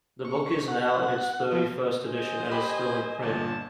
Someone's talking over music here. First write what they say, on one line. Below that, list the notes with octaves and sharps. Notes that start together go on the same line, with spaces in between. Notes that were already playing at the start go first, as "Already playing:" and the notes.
The book is now in its thirty-first edition and is still in print.
C#6
F#5
F3
C5 D#5 G#5
G4 B5
G1 A#2 A5